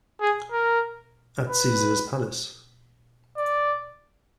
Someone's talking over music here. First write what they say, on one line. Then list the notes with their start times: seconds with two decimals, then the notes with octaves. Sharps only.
At Caesar's Palace.
0.21 G#4
0.52 A#4
1.47 B4
3.37 D5